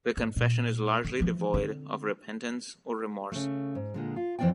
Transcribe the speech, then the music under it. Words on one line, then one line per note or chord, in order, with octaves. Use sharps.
The confession is largely devoid of repentance or remorse.
G#2
A#2
D3
E3 F3
D3 C4
C#3 A3
G#2
A#2 D3 G#3
F4
F2 E3 C4 D4 D5 G5